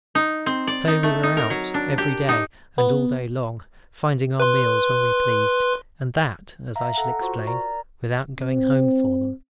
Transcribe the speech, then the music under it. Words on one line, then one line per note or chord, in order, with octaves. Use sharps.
So we were out every day and all day long, finding our meals when we pleased, and that, as I shall explain, without going home for them.
D#4
C4
D5
D#4
A3
D#4
A#4
F#3
D4
G4
D#4
B3
B4 C6
E5 F5 A#5
A4 F#5 A#5
F4 F#4 C5 C#6
A#4 D5 A#5
C4